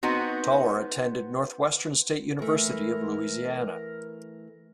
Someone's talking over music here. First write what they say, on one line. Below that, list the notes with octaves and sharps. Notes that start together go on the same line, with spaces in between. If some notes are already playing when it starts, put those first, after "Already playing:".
Tolar attended Northwestern State University of Louisiana.
B3 C4 D#4 F#4
E3 A3 A#4